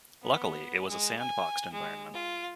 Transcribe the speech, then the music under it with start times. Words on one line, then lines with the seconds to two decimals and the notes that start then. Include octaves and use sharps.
Luckily it was a sandboxed environment.
0.22 B3
0.89 G#3
1.19 G#5
1.72 G#3
2.13 F4